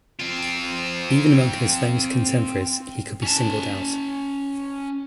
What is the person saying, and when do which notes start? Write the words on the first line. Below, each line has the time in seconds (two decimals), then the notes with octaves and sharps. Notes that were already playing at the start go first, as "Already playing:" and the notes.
Even among his famous contemporaries he could be singled out.
0.19 C4 F4
3.23 C#4 A5